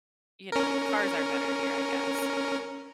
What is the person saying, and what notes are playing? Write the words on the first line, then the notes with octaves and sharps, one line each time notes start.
you know cars are better here, I guess.
C#4 A#4